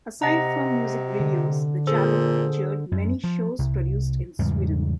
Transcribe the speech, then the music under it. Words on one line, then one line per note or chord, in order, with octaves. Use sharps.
Aside from music videos the channel featured many shows produced in Sweden.
C3 D#5 F#5 A#5
D3
A#2 G#4 A4 C5
F#2
F3
C2
E2 G#2 C#3 G3